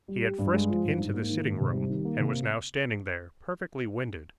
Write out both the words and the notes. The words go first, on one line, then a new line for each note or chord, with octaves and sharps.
He had frisked into the sitting-room, and was now standing there, perfectly winded.
G3
G4
G2
G#3
F3
G2
G#2
A#3
D#3
G#2
C3
G3
D#3
A#3
C3